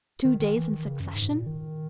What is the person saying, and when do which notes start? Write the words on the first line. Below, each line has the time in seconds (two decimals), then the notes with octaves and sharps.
Two days in succession!
0.25 D#3
0.40 D#3
0.55 E3
0.69 D#3
0.85 C#3
1.00 F#2
1.15 G#2
1.31 A#2
1.46 D#3